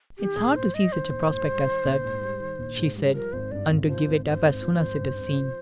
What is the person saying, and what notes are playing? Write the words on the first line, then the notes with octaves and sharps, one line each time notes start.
"It is hard to see such a prospect as that," she said, "and to give it up as soon as it is seen."
D#3 G4
A#1 G#4
G#2 C5
G3 D#5
D#3 C5
A#1
G#2
G3
D#3
A#1
G#2
G3
D#3
A#1
G#2
G3
F3 A#4
G#1 C5
G2 D5
G#1
F3 C5
G#1
G2 C5 D5
G#1
F3
G#1
G2
G#1
F3